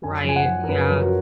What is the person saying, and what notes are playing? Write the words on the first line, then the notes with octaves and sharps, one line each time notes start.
Right, yeah.
F#2 G#5
F3 G#5
F#5
F3
A#4
F#2 B4
B4
F3 A#4
F#4